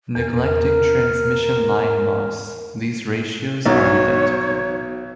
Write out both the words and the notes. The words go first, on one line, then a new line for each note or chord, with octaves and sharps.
Neglecting transmission line loss, these ratios are identical.
E2 A#4
B1 B3 D#4 F#4 C#5